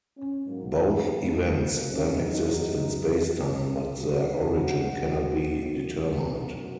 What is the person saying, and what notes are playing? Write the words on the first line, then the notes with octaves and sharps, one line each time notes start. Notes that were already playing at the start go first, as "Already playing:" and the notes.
Both events then exist in spacetime, but their origin cannot be determined.
C#4
G#2 F#3 A#3
A#3
G#3
A#3
C#4
F#2 F#3 D#4
D#2 D#3 F#3 F#4
F#2 F#3